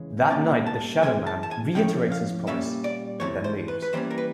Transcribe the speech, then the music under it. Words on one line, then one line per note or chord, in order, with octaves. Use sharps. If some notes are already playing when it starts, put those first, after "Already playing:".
That night, the shadow man reiterates his promise and then leaves.
Already playing: C#3 E3 G#3
A#2 G3 A#3 C#4 A5
A5
E3 G#3 C4 G#5
A5
A5
G#5
A2 F3 A#3 C#4 G5
F5
A#2 G3 A#3 C#4 E5
D5
C3 E3 A3 C#5
C5
B4
B4
E3 G3 A#3 C#4 C5
A#4
B4